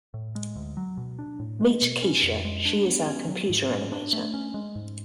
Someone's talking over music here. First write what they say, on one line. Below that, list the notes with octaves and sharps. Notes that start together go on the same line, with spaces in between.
Meet Kesha, she is our computer animator.
A2
G#3
D2
F#3
B2
D4
A2
G#3
B2
C#4
F2
G#3
D4
B3
C#4
F#3
G#2
C#4
D4
A3
C#4
G#3
G#2